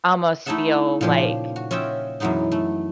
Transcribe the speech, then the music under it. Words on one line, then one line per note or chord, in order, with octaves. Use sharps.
almost feel, like,
A3 D#4 E4 A4 E5 F#5
A#2 C#3 F3 G4 C6
F#4
C#4 F4 D#5 E5 F#5 G5
F#2 B2 E3 F#3 G#3 D#4
A3